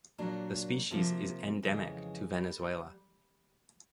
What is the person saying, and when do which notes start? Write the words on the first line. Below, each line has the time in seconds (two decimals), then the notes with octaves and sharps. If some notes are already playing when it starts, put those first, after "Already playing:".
The species is endemic to Venezuela.
0.18 A#2 F#3 A#3 D4
0.90 C3 F3 A#3
1.63 F2 C#3 E3 G#3
2.34 G3